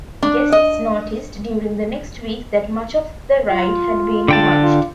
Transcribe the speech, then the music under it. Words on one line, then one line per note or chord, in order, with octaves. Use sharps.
Guests noticed during the next week that much of the ride had been demolished.
D4
D#5
F4
D3 G5 A5
F4